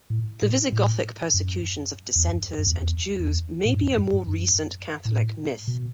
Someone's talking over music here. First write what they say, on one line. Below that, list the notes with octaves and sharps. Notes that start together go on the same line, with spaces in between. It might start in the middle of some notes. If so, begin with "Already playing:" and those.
The Visigothic persecutions of dissenters and Jews may be a more recent Catholic myth.
A2
A2
A2
F#2
E2
F#2
F#2
E2
E2
E2
A2
G2
F#2
G2
G2
F#2
A2
B2